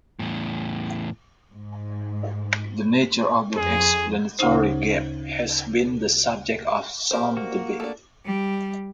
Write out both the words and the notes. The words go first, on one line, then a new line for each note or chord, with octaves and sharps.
The nature of the explanatory gap has been the subject of some debate.
E2 A2
G#2
F2 G#4
D2 C#3 C#4 D#4 C5
G4 A#4 C5
A#3 F#4
A3 D4
G3